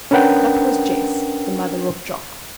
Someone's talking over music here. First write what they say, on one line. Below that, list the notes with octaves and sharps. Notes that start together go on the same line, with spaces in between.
That was Jess, the mother of Jock!
C#4 D4 A#4 B4 F#5 G5